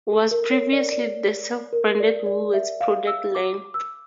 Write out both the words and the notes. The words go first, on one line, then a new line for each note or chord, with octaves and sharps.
Was previously the self-branded "Woolworths" product line.
A4
A#4
C#5
D5
D5
A#4
D5
D5
E5
F5
E6
D6
E6